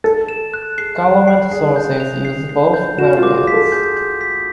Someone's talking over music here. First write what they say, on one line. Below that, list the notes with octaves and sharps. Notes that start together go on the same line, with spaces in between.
Government sources use both variants.
A4 A6
E7
F#6
G#4 C7
F#6
C7
G#4 C7
G6
F7
C7
C7
G6
F#4 E7
F4
D6
G#4
B6
A4
G#4 G6
G6
B6